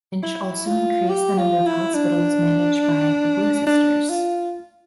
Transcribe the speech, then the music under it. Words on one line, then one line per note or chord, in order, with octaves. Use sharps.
Lynch also increased the number of hospitals managed by the "Blue Sisters".
E4
F4
G4
F4
E4
D4
D4
F4